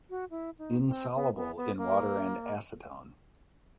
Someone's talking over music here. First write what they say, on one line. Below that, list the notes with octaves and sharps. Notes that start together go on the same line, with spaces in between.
Insoluble in water and acetone.
F#4
E4
D#4
C4
B3
B3
B3
A#3